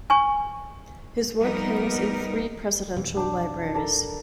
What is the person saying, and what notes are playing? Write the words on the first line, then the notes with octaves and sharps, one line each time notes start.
His work hangs in three presidential libraries.
G#5 C#6
F3 G3 B3 D#4 A#4
B1 F2 E3
D4 G5
D4 A4 A#4